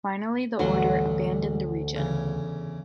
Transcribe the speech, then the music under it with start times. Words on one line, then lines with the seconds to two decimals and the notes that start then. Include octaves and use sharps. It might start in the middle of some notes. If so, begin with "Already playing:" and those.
Finally the order abandoned the region.
0.59 A1 D2 G2 F#3 F#5 C6
1.96 E2 C#3